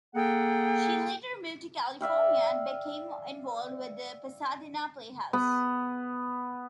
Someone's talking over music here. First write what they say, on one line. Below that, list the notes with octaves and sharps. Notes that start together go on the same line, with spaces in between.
She later moved to California and became involved with the Pasadena Playhouse.
A#3 G#4 A4 F#5 G5
D5 E5 F5 G5
B3